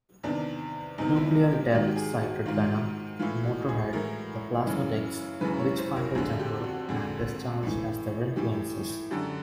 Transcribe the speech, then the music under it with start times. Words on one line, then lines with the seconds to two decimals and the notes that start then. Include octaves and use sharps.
Nuclear Death cited Venom, Motorhead, The Plasmatics, Witchfinder General, and Discharge as their influences.
0.23 E2 C3 D#3 D4
0.98 E2 C3 D#3 D#4
1.17 E4
1.53 G4
1.72 G#2 D#3 F#4
1.87 G4
1.96 G#4
2.21 F#4
2.46 G#2 D#3 F4
3.19 A2 E3 F4
3.44 F#4
3.69 G#4
3.93 A2 E3 A#4
4.67 F#2 C#3 E3
5.41 F#2 C#3 E3 B4
5.59 C#5
5.78 C5
5.96 A#4
6.15 F2 D3 G#4
6.40 G4
6.64 F#4
6.89 F2 D3 G#4
7.63 A2 E3
8.36 A2 E3 G4
9.11 F#2 D3 G4